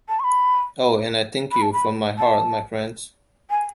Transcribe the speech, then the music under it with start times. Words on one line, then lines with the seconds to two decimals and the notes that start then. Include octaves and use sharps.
Oh, and I thank you from my heart, my friends.
0.09 A5
0.20 C#6
0.24 B5
1.51 B5
1.62 A5
1.73 B5
2.18 A5
3.50 G#5